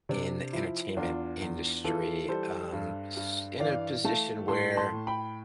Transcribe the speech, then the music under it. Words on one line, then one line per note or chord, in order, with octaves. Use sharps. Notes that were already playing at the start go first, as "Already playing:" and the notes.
in the entertainment industry, um, s in a position where
C3 D4
F3 E4
E2 D4 F4
E2
E3 F4 A4
G3 A4 C5
G2
G2
E3 D5 F5
A3 F5 A5
A2 A5 C6
A5 C6
A2
G5 B5